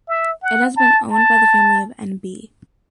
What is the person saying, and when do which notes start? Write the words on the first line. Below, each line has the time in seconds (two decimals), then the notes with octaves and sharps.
It has been owned by the family of N. B.
0.08 E5
0.43 F#5
0.76 A5
1.11 A5